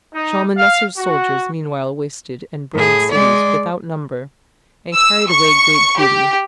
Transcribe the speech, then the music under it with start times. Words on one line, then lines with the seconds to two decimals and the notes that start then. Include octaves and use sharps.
Shalmaneser's soldiers meanwhile wasted and burned cities without number, and carried away great booty.
0.13 D#4
0.56 F5
0.98 F#4
2.74 A2 G#4
3.12 G#3 D5
4.94 E6
5.29 C#6
5.99 G4